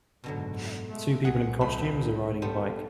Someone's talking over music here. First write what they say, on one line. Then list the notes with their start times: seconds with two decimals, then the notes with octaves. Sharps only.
Two people in costumes are riding a bike.
0.24 F#1 G#2 B2 D3 F#3
0.88 G#3 A3
1.25 C2 A#2 G#4 F#5
1.61 D#1 A3 B5
2.42 G3 A3 B3 C5